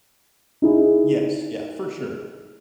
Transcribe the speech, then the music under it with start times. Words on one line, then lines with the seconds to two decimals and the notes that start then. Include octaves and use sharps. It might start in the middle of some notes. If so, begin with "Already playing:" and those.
Yes, yeah, for sure.
0.62 D#4 E4 G#4